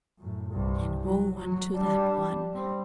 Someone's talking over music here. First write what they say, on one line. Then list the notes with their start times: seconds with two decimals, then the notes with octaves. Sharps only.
"Then woe unto that one!"
0.19 F#2 A2
0.49 C2 G2
1.03 F#3
1.38 F#3
1.75 G3 D4
2.54 G3 C4